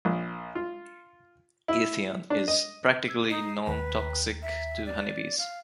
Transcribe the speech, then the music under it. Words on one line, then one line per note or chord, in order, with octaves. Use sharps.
Ethion is practically nontoxic to honeybees.
A#1
F4
E4
D4
D#5
E6 G#6
D#4 D#5 C7
D#2 B4 G5 A#5
E5
D5
F5